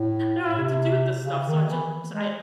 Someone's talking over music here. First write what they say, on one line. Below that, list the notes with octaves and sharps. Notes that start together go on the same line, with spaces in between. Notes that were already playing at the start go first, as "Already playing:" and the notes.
don't know what to do with this stuff. So I just I
Already playing: A2
A2
C3
C#3
D#3
E3
G#3